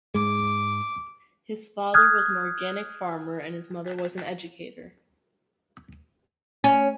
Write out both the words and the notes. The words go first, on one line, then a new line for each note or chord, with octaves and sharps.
His father was an organic farmer and his mother was an educator.
G#2 G#3 D6
D#6 F6 F#6 G#6
C#4